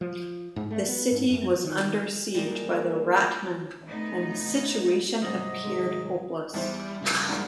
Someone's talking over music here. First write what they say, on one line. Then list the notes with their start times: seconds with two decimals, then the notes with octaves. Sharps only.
The city was under siege by the rat men and the situation appeared hopeless.
0.01 F3
0.56 G#2
0.71 A3
0.88 B3
1.12 G#2
1.29 F#2
1.64 D#3
2.34 G3 G#3 A#3 A#4
3.88 A2 C3 B3 D#4
5.22 C2 G#2 F#3 G3 D#5
5.64 D#3 G#3
6.54 E2 G3 E4 C5
7.02 G2 C#3
7.29 G2 E3 G#3 A#3 F#4